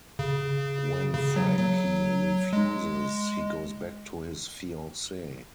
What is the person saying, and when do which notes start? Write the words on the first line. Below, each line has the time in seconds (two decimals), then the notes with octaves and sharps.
When Francie refuses, he goes back to his fiancee.
0.19 C#3
1.14 C#3
1.36 F#3
1.59 F#3
2.53 G#3